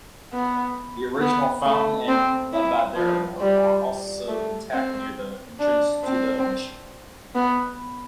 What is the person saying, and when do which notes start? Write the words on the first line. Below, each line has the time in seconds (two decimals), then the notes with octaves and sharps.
The original fountain and "lavadero" are also intact near the entrance to the Mission.
0.33 B3
1.21 B3
1.65 A3
2.08 C4
2.53 E4
2.96 F3
3.41 G3
4.28 A3
4.72 C4
5.59 D4
6.04 C4
7.35 B3